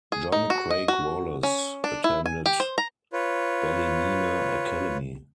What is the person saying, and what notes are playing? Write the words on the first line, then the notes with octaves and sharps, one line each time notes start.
John Craig Wallace attended Ballymena Academy.
G#4
D#4
F#4
D#5
F#4
C#4
D4
E4
G#5
G4
C5
A#5
F4 B4 C#5